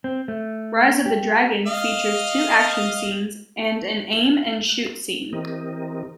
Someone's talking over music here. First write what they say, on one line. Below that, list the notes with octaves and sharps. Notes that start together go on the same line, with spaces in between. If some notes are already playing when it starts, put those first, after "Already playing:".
"Rise of the Dragon" features two action scenes and an aim-and-shoot scene.
C4
A3
G4
D#5 F5
E3 C4 G4 A#4 D#5